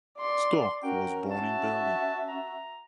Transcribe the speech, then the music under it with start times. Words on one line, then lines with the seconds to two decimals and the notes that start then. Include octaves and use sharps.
Storck was born in Berlin.
0.18 D5 C6
0.83 C#4 F#4 A#4 G5
1.31 F#4 E5 A5
2.29 A#5